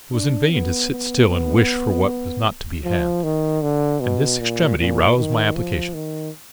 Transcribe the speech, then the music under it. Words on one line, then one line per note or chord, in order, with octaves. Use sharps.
It was in vain to sit still and wish for what was not to be had; and this extremity roused my application.
D4
B3
B3
B3
F3
D#3
D3
B2
A#2
A#2
D#3
F3
D#3